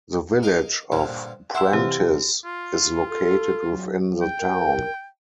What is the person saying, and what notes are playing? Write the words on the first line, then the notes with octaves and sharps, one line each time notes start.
The Village of Prentice is located within the town.
A#4 D#5 F5
G2 A#2 D3 F3
E4 E5 F#5 C6 E6
F2 C3 E3 G4
F4
A4
F#3
G5
A#4